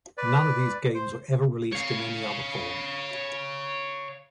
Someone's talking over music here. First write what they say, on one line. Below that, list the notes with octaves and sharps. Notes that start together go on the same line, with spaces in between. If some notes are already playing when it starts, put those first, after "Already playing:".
None of these games were ever released in any other form.
B4 D5
C5
C#5 F5